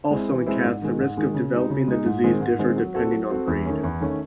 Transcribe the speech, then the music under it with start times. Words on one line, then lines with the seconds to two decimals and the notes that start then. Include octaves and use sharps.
Also in cats, the risk of developing the disease differ depending on breed.
0.11 G#3 C4 E4
0.29 E3
0.46 G#3 C4 E4
0.65 G#2
0.82 D#3 G#3
1.00 G#2
1.17 D#3 G#3
1.34 C#3
1.52 G#3 D#4
1.70 C#3
1.88 G#3 D#4
2.06 G#2
2.24 D#3 G#3 C4
2.41 G#2
2.59 D#3 G#3 C4
2.76 F#3
2.94 C4 F#4 A4
3.12 F#3
3.30 C4 F#4 A4
3.48 E2
3.65 D#3 A3 C#4
3.83 E2
4.01 D#3 A3 C#4